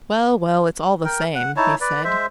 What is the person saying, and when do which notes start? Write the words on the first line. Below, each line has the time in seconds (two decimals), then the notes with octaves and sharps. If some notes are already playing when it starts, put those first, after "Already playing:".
"Well, well, it's all the same," he said.
1.05 A#4 G5
1.35 F#5
1.56 D#4 E4 C#5 A5
1.81 B4 D5
2.04 G#3 C5 E5